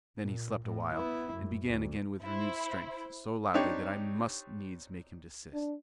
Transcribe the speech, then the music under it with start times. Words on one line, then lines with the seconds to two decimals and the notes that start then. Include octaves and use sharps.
Then he slept awhile, and began again with renewed strength, so loudly that I must needs make him desist.
0.21 A#2
0.63 A2
0.93 B3 E4
1.32 F#2
1.66 D2
2.23 E4 C5
3.54 C4 D4 D#4 G4 C#5
5.54 D4